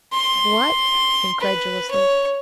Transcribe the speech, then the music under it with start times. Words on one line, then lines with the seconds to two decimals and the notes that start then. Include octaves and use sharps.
"What!" incredulously.
0.13 C6
1.41 B4
1.91 C#5